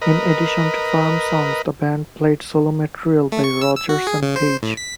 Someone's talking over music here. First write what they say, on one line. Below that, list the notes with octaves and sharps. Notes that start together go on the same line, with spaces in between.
In addition to Firm songs, the band played solo material by Rodgers and Page.
A#4 B4 D#5
A3
C#6
E6
E6
F#4
G#4
C#3
C5
A2
B6